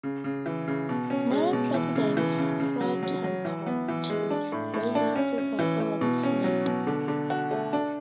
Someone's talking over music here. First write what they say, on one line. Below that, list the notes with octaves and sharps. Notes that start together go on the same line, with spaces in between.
Modern presidents pro tempore, too, rarely preside over the Senate.
C#3
C#3
E3
C#3
B2
C#4
G#3
B2
E3
C#3
E3
C#3
C#3
F#3
F#3
F#3
E3
B3
E3
G#3
D4
A2
A2
D4
C#4
C#4
E3
E3
B2
C#4
F#3
B2
D3
D3
F#4
A3
D4